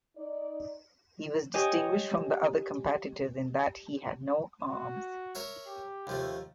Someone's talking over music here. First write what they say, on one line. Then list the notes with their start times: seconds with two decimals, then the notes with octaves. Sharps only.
He was distinguished from the other competitors in that he had no arms.
0.17 D#4 D5
1.54 G4 C#5 D#5 G#5 D6
4.68 F#4
5.35 A#4 C#5 E5
5.67 G4
6.07 D#2 F3 A3